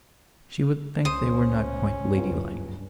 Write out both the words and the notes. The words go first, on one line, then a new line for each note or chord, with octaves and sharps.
She would think they were not quite ladylike.
C#2 C#4 C5 D#6
F#1 C#2 G2